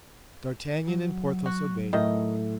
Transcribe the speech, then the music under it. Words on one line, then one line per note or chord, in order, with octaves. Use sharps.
D'Artagnan and Porthos obeyed.
F#3
F#4
A2 D#3 A3 D#5